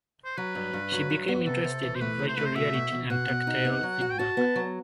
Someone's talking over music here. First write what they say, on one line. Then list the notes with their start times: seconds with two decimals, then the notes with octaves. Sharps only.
She became interested in virtual reality and tactile feedback.
0.25 C5
0.37 F#3 B4
0.55 G2
0.73 G2
0.92 F#3
1.10 G2
1.28 B3
1.46 C3 A4
1.64 C3
1.83 E3
1.95 C5
2.00 A3 B4
2.19 C3
2.28 C5
2.37 A3 B4
2.45 C5
2.55 B2 E5
2.74 B2
2.92 B2
3.10 B2 F#5
3.28 B2
3.47 D#4
3.65 B3
3.83 F#3
4.01 F#4
4.11 G5
4.19 F#4 A5
4.37 B3
4.56 F#3